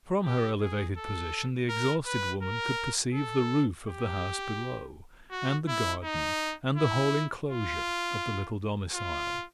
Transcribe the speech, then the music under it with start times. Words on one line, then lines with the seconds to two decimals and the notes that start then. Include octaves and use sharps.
From her elevated position the exhausted woman could perceive the roof of the house below, and the garden and the whole enclosure of the little domicile.
0.25 G4
0.60 G#4
0.97 A4
1.69 A#4
2.06 B4
2.42 A#4
3.14 A4
3.87 G4
5.31 F#4
5.68 E4
6.04 D#4
6.76 E4
7.49 F4
8.94 F4